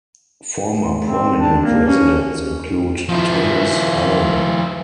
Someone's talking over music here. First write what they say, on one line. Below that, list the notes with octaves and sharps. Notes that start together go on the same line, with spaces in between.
Former prominent residents include Thomas Holme.
C4
D4
A#3
C#4
F3 E4